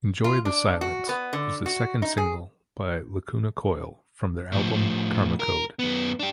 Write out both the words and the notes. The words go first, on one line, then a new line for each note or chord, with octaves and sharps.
"Enjoy the Silence" is the second single by Lacuna Coil from their album "Karmacode".
F4
D4
F#4
B3
D3
F#4
D#4
G#4
A2 F3
A#4
F#2 B3
D4 G4